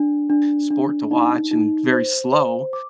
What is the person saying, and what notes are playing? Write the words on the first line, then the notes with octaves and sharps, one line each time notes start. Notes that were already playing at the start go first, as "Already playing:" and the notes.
sport to watch and very slow.
Already playing: D4
D4
D4
D#4
D#4
C5
C5
D6